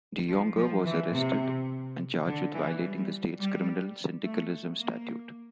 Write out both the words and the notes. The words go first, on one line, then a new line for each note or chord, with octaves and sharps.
De Jonge was arrested and charged with violating the State's criminal syndicalism statute.
F3
F3
E3
C3
D3
E3
G3
G3
A3
A#3